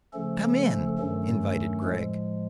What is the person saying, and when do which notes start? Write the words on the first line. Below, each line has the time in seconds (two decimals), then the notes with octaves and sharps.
"Come in," invited Gregg.
0.13 C#3 F3 A3 C#4 A4
0.56 A4
0.98 G2 D#3 F#3 A3 C#4 A4
1.84 A2 F3 G#3